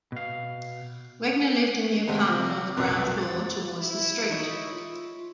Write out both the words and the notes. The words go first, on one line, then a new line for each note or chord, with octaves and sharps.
Wegner lived in the apartment on the ground floor towards the street.
B2 F5
G1 G#3 A3 C4 G4 F#5
C3 F3
F1 B1 F#2 B2 F#6
A6
E4
D#4 C#5 D#5
F4